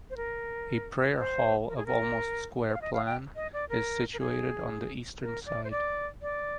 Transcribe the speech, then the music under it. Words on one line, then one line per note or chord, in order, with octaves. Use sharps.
A prayer hall of almost square plan is situated on the eastern side.
C5
A#4
C5
A#4
G#4
A#4
C5
F5
D#5
F5
G5
D#5
D5
A#4
A#4
G#4
A#4
D5
C5
D5
D5